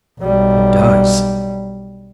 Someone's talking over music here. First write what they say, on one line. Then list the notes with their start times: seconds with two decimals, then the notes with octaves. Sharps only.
"It does."
0.20 B1 G3